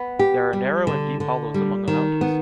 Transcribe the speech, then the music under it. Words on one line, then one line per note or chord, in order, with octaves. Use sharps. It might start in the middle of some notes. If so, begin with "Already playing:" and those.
There are narrow and deep hollows among the mountains.
Already playing: B3
G4
G3
D3
D3
G3
D#3
B3